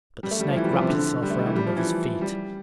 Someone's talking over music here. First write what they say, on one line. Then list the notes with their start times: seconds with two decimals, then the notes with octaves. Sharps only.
But the snake wrapped itself around one of his feet.
0.23 G3
0.31 A3
0.40 G3
0.48 F3
0.57 E3
0.65 G3
0.73 F3
0.81 C3
0.89 D3
1.22 G3
1.30 A3
1.39 G3
1.46 E3
1.55 G3
1.66 F3
1.76 E3
2.21 G3